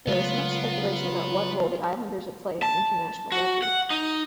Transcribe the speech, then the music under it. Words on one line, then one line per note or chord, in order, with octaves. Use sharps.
There was much speculation about what role the Islanders would play in international rugby.
C#3 F#3 G#3 A3 B3 F4
A5
F#4
F#5
D#4